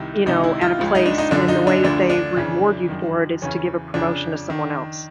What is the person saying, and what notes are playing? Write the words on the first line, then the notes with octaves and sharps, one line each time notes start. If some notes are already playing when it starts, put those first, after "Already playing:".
you know, at a place, and the way that they reward you for it, is to give a promotion to someone else.
Already playing: C2 C3 D#3 E4
C#2 C3 D#3 D#4
E4
F4
C#2 C#3 F3
D#4
D4
D#4
F#2 D3 F3 D4
D#4
D4
D2 D3 F3 D4
D4
F2 C#3 E3
F#2 D#3
E2 C#3 E3 C#4
F2 C#3 F3 D4
D#3